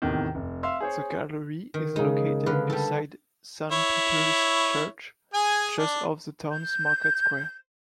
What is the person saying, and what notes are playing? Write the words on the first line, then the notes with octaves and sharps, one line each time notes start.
The gallery is located beside Saint Peter's Church, just off the town's market square.
E2 A2 C3 D#3
F1
E5 F5 C6 E6
G#4 C5 C#5
D#3
C#3 G#3 D#4
D3 B4 F5
G3 A4
E4 C#5
G#4 G#5
D4
G6